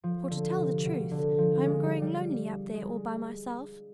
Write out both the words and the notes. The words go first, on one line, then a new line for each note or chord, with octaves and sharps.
For to tell the truth, I am growing lonely up there all by myself.
F3
D3
C3
B2
D3
F3
G#3
G3
G3
G#3